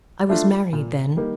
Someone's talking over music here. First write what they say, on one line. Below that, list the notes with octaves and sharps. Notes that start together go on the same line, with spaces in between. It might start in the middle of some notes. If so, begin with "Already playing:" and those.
I was married then.
A3 D4 F4
A#2
G3 A#3 D#4